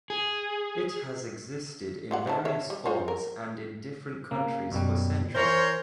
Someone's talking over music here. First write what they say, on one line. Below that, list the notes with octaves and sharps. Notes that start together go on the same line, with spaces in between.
It has existed in various forms and in different countries for centuries.
G#4
G3 F4 F#5
D#3 E4 A5
C#5 E5
G3
F4 C5 C#5
A#4
C#3 A#3
F#2 B2 G3
E3 A#4 C5 C#5